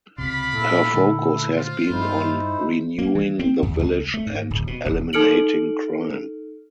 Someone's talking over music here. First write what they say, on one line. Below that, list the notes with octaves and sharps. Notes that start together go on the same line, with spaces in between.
Her focus has been on renewing the village and eliminating crime.
C#2 C3 D5 F5 B5
A#2 E4 A4
A#2 D3 A3
F4 C5
G2 D#4 E4 C5
A#3
E3
C4
D#2
C#2
A3
G#2
D1
B2
E1
D#4 A4 F6 C#7 D7 F#7